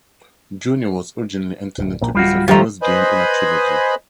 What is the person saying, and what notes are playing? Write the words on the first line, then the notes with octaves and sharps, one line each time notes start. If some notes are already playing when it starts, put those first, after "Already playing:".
"Journey" was originally intended to be the first game in a trilogy.
D1
A#1 A#2
D1 G3 F4 F#4
D#3 F3 G3 A3 G4 D#5 G5 A#5
B4 C5 D#5 G#5 B5